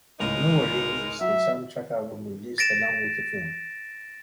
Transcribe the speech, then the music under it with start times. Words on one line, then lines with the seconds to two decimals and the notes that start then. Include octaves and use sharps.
The Nowhere Inn is the soundtrack album released along with the film.
0.20 C#2 A2 G#3 D#4 A#4
1.21 F#3 E5
2.58 A6 A#6 D7 E7